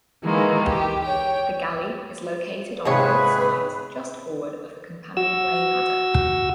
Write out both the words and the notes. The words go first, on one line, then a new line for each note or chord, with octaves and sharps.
The galley is located on both sides just forward of the companionway ladder.
D#3 E3 G#3 A#3 B3
G4
C#5 G5
G#2 C3 F3 G#4 B4 C#5
F#4 E6